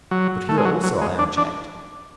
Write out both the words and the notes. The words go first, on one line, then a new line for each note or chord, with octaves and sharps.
But here also I am checked.
F#3
A3
G#3
F#3
F#3
G#3
D4
D4